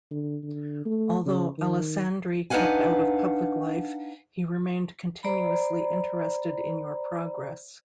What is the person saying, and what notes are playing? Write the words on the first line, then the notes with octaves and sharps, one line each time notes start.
Although Alessandri kept out of public life, he remained continuously interested in your progress.
D3
D3
A3
C#3
D#3
D4 D#4 B4 F5 F#5 G#5
C5 D5 A#5 B5